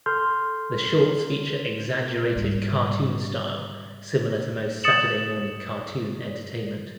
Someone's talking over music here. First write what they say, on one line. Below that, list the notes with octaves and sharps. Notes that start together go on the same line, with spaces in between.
The shorts feature exaggerated cartoon style similar to most Saturday morning cartoon entertainment.
A4 C6 F6 G6
G#2 G3
D#6 A6 C#7 E7 F#7